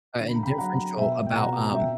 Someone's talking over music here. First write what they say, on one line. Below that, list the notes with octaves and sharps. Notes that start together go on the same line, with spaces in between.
uh, and differential about, um,
D3
B5
A#5
G5 B5
F#3 F#5 A#5
B2 E5 G5
G5
B2 F#5 A#5
C#4 E5 G5